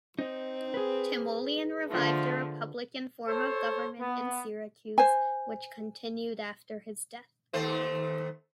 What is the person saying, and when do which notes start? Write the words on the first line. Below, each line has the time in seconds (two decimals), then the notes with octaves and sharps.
Timoleon revived a republican form of government in Syracuse, which continued after his death.
0.19 C4 D#4
0.74 G#4 B4
1.88 D3 F3 A3
3.27 A4 C5 C#5
3.99 B3
4.98 C5 G#5
7.53 D#2 A3 C5